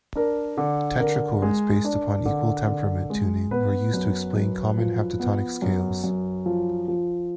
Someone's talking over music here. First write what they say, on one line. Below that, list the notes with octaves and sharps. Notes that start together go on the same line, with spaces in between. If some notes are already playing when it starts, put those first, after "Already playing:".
Tetrachords based upon equal temperament tuning were used to explain common heptatonic scales.
D4 A#4
D3
D3 A#4
G#3
D4
D3
D3
G#3
B3 B4
F#2
F#2
F3
B3
F#2
F#2
F3
F3